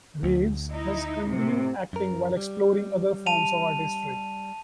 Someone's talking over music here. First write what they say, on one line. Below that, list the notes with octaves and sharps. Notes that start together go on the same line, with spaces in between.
Reeves has continued acting while exploring other forms of artistry.
D2
D#4 E4
A2 C3
F#2 A#4
G3
A5 D#7 F7